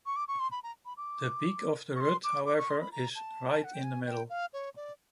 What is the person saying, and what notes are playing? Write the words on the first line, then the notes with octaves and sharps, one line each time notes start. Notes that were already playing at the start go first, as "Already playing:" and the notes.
The peak of the rut, however, is right in the middle.
C#6
D6
C#6
C6
B5
A#5
B5
D6
C#6
C6
D6
D6
C#6
C6
B5
A#5
A5
F#5
G5
G#5
G5
F5
C#5
D5